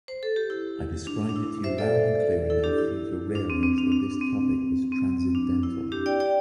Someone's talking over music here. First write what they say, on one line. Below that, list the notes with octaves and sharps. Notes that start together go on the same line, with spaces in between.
I described it to you loud and clear enough for you to realize that this topic was transcendental.
C5
A4
G4
E4
D4
D4
E4
C5 E5
A4 D5
E4 A4
D4 G4
E4
D4
C4
C4
D4
D4
C4
C4
D4
E4
D4 G4
D5 G5
D5 G5